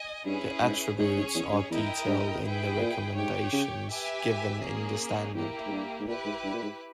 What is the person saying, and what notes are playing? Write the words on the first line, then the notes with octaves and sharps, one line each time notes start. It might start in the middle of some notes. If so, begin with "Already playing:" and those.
The attributes are detailed in the recommendations given in the standard.
Already playing: D#5 G#5
G2 C#4 E4 G#4 B4
G#2
G#2 C#4 G#4 C#5
G#2
E2
G2
E2 E4 A#4 D#5 G5
G2
E4 G#4 B4 G5
A#2
G#2 G4 C#5 G5
C#3
G4 B4 E5 G#5
A#3 C#4 G#4
E2 A#3 E4 G4
G#2
G2
G#2
A#2 E4 G4 B4
G#2
G2
A#2
G#2